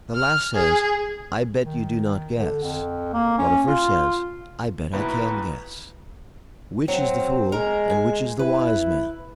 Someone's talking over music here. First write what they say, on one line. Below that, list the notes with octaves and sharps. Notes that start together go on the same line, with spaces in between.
The last says, 'I bet you do not guess,' while the first says, 'I bet I can guess.' Which is the fool, and which is the wise man?
F6
G#4
D#3
D3
F2
A#3
C#4
F4
D#2 B2 E4 B4 A#5
F#3 C4
G#3 A#4
G#5
E4 B4